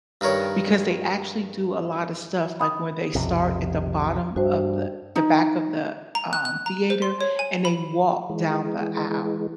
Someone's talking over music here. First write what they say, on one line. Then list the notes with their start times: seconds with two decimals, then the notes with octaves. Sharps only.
because they actually do a lot of stuff, like, where they start at the bottom of the the back of the, um, theater and they walk down the aisle
0.21 G2 D#3 A#4 C#5
2.60 B5 D#6
3.15 B1 F2 C3
4.36 G2 F#4 C5
5.16 D#4
6.15 A#5
6.33 F#6
6.45 F#6
6.66 A#5
6.90 C5
7.02 C6
7.21 C#5
7.39 G#5
7.65 B5
8.30 E3 G#3